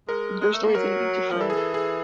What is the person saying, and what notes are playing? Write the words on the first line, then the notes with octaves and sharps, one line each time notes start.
Their story is gonna be different,
G#3 A#4
G#3
A3
A#3
F#3 A#4
F3
E3 A4
G#4
A4
G#4